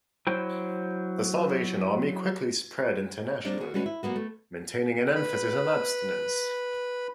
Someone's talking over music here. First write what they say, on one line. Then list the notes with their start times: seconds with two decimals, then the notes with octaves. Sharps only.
The Salvation Army quickly spread internationally, maintaining an emphasis on abstinence.
0.27 F#3 E4 C5 G5
3.45 G3 A#3 C4 D4
3.60 F#4 G#4 B4
3.74 G3 G#3 C#4 F#4 B4
3.86 E4
4.03 G3 A#3 B3 F#4
4.16 A3
5.16 B4 B5